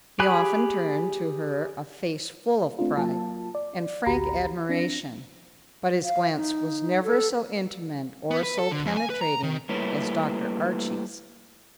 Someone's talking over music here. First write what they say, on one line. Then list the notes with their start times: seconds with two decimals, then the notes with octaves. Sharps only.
He often turned to her a face full of pride, and frank admiration, but his glance was never so intimate or so penetrating as Dr. Archie's.
0.19 G4 G#4 G#5 B5 F#6
2.79 A3 C4 D4 F4
2.97 F#3 A#3 F4 A5
3.55 D5
4.06 A1 D2 F#4 G4 A#5 B5
4.69 C4 D4 A#6
6.04 F5
6.37 D#4
7.04 A4
8.31 B3
8.43 B4
8.59 A4
8.72 D3
8.85 F2
8.97 G#5
9.10 B4
9.21 A#5
9.43 D#3
9.69 G3 A3 A#3 E4 B4 C#5